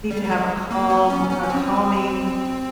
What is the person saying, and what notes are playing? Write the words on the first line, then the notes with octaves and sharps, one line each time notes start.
You need to have a calm a calming
G3
G3
G#3
A#3
B3
C#4
C#4
C#4
C4